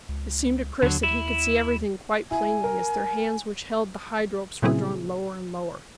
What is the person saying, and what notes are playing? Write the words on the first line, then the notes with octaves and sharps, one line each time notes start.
It seemed to Chris that he could see everything quite plainly as their hands which held the hide-ropes were drawn lower and lower.
C#2
D#2 D3 F#3
E4
E4 G#5
A#4
A#2 C#3 F#3 C4 E4 G#4